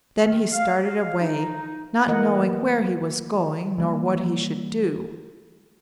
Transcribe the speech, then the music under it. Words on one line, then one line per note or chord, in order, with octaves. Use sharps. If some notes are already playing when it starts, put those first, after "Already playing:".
Then he started away, not knowing where he was going nor what he should do.
D#3
F5
F5
D#4
E3 A3 A#3 A#4 D#5 F#5
E3 G3 A3 A#3